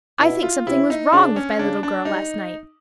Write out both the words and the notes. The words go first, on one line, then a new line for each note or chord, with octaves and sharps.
I think something was wrong with my little girl last night.
B2 E4
F4
C3 E4
D#4
C#3 D4
C#4
C#3 D4
D4
G3 D#4